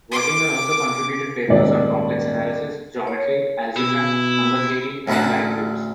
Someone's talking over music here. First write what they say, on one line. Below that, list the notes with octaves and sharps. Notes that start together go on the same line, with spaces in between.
Wirtinger also contributed papers on complex analysis, geometry, algebra, number theory, and Lie groups.
D6
D#1 G#2 D5
C#5
B2 E4
A1 D2 E4 F#5 A5